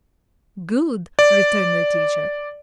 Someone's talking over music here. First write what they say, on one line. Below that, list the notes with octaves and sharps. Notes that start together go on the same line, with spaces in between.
"Good!" returned the teacher.
D5